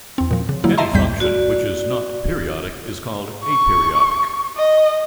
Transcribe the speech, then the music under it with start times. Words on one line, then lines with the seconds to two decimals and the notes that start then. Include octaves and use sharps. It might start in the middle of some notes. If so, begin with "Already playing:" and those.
Any function which is not periodic is called aperiodic.
0.18 E2 C4
0.31 A#2 F3
0.49 C#3
0.64 D3 F#3 G3 A#3 E4
0.78 D#5 E5 A5 A#5 C6
0.94 B1 E2 G#2 G3 G6 B6
1.20 F#4 D5
3.44 C#6
4.57 D#5